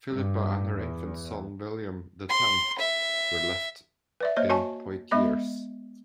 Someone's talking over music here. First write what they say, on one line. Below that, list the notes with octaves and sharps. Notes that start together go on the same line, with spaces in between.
Philippa and her infant son William the Tenth were left in Poitiers.
G2
E2
C6
E5
B4 D5 E5
A#3 C5 C#5 D#5
F#4 C#5 G#5 A5 C#6
G#3 B3 D#5 E5 B5